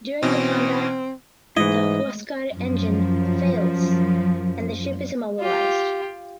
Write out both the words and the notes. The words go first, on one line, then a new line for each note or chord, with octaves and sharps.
During the combat the "Huascar" engine fails and the ship is immobilised.
B2 E3 C4 C#4
G#2 E3 G#3 A3 E4 D#5
F#2 F3
F4 G4